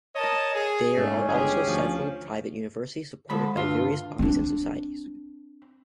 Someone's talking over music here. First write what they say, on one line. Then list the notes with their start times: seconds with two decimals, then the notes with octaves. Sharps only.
There are also several private universities supported by various bodies and societies.
0.16 A#4 C#5 D#5 A5
0.54 G#4
0.97 G#2 A3 C#4
1.28 G1 G#3 G4 G#4
1.66 D2 F3
3.30 D3 F3 G#3 B5
3.57 D2 G2 F4
4.19 C4 D4